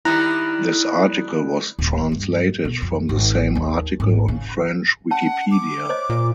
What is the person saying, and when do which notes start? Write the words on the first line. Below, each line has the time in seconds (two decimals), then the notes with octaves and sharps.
This article was translated from the same article on French Wikipedia.
0.05 D#3 G3 D#4 E4 A#5 F#6
1.79 D1
2.12 G2
2.65 B2
2.82 F2
3.09 G#1
3.55 D#2
4.00 G#1
4.28 C#3
5.11 C#4 F#5 A5
5.51 D6
5.89 C5 C#5 D#5
6.10 A#2